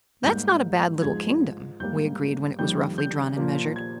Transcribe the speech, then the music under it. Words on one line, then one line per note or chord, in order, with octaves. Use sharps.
"That's not a bad little kingdom," we agreed when it was roughly drawn and measured.
G#2 G3 A#3 G6
G#2 F3 G#3 G#6
G#2 G3 A#3 G6
F2 D#3 G3 A#3 G6
G6
A#2 F3 A#3
G#6